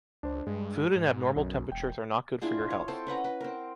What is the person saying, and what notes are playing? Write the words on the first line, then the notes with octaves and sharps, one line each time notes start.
Food in abnormal temperatures are not good for your health.
C#2 D4 C5
G2 G#3
G#2
B1 F#2
E1 G5
D4 E4 F4 G#4
C#5
C4 A4 C5 C6
C#4 B4 F#5 A#5
B4
C4 A#4